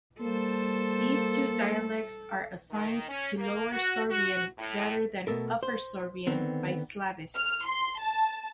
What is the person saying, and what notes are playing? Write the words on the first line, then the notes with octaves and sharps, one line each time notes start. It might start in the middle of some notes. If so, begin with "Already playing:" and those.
These two dialects are assigned to Lower Sorbian rather than Upper Sorbian by Slavists.
G3 A#3 A4 C5 A5
D#3
C#4
A#3
F#4
F#4
A2
B2 A3 B3 A4 A#4
C5
D3 D#3 B3 C4
F6
C6
A5